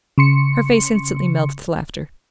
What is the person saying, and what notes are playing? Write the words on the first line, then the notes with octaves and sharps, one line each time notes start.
Her face instantly melted to laughter.
C#3 C6 C#7